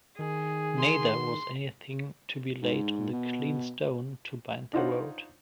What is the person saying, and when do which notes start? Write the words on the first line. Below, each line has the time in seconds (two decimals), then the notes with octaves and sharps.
Neither was anything to be laid on the clean stone to bind the road.
0.19 D#3 G#4
0.79 C6
2.62 G#2
3.12 B2
4.73 D4 D#4 F4 C5 C#5 F#5